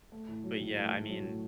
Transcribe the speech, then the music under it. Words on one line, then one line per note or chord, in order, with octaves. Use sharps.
But, yeah, I mean,
A3
A2
F#3
A2
A3
A2
F#3
A2